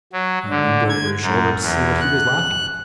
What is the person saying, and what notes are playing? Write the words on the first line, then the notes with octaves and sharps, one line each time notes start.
I leaned over his shoulder to see what he was laughing at.
F#3
D3
G#6
F#2
E2
F#6